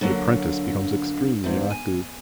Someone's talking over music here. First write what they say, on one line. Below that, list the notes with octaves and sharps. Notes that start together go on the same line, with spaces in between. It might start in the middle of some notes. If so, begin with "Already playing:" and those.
The apprentice becomes extremely active.
D3 F#3 A#3
E2 G#2
G#5